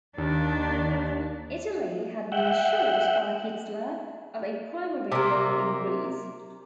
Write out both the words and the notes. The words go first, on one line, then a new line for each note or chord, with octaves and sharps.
Italy had been assured by Hitler of a primary role in Greece.
D#2 D#3 D4
E5 F#5 G5
C3 A#3